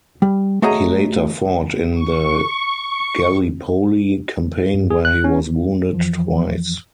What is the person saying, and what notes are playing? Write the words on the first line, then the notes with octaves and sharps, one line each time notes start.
He later fought in the Gallipoli campaign where he was wounded twice.
G3
A3 F#4 G#4 C#5 D#5 A#5
C#6
G2
G#4
F#6
C#4
F2 E3 F3